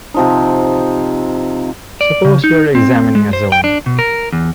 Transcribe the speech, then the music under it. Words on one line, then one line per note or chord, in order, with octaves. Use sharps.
Suppose we are examining a zone.
C3 F3 D#4
D5
C#3
D#4
C4
G#3
C5
G5
D4
B2
A#4
E2